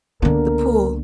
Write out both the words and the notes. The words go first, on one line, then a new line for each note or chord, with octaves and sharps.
the pool,
C#2 D3 A#3 B3 D4 A#4